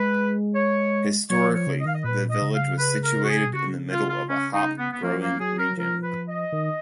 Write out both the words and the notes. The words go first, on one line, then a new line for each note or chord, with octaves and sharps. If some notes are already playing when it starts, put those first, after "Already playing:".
Historically, the village was situated in the middle of a hop-growing region.
Already playing: G#3 B4
C#5
F#3 C#5
F3
C#5
C#3
D#5
D#3 F5
D#5
A#2 B4
D#5
C#3
F5
B4
A#4
F#4
G#4
B2
C#3 F#4
F4
F4
C#4
D#4
B3
B3
F3 A#3
A#3
F#3 G#4
A#4
F3 A#4
B4
D#5
D#3